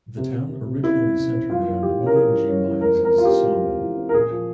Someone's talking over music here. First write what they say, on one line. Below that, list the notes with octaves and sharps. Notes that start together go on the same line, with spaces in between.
The town originally centered around William G. Miles's Sawmill.
C3
C3
C3
C3
C3 E4
C3
C3
C4
E3 F4
A#3
E3 G4
C#4
A#4
E3 G#4
E3
C#4
E3
G#3 A#4
C4
A#4
E3 F4
G4
C4
G#3
C4
E3
C4
A#4
A#2 G#4
F3